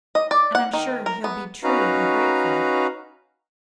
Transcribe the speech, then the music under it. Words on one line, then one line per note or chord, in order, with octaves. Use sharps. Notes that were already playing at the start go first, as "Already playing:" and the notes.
"And I'm sure he'll be true and grateful."
D#5
D5
F#5
D#3
A#4
B3
C#4 D#4 F#4 B4 F5 A#5